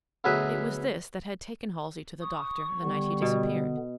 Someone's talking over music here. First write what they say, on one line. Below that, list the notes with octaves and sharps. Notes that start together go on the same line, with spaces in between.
It was this that had taken Halsey to the doctor the night he disappeared.
D2 B2 F#3 G#4 B4 E5
C#6 D#6
D3 G3 B3
B2